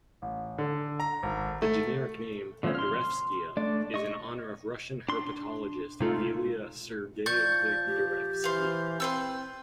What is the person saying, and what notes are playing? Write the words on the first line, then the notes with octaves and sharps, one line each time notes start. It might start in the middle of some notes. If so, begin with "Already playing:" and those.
The generic name, "Darevskia", is in honor of Russian herpetologist Ilya Sergeyevich Darevsky.
A1
D3
A#5
G#1
A3
D3 F3 A3 B3 C#4
C6 F6
A3 D4 D5
D#5 C#6
D4 C6
C3 G#3 A3 D#4 F4 A4
F3 D5 C#6 G6 A6
G4
E3 C5 F5
C4 B4 C5 E6